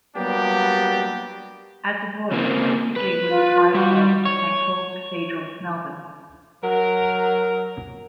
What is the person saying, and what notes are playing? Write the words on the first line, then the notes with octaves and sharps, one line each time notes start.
As a boy, Sigley was a choir boy at Saint Paul's Cathedral, Melbourne.
F#3 G3 A#3 B3 D4 G4
C#3 A#3 C4
B4
F4
G3 F#4
C#5
F#3 A#4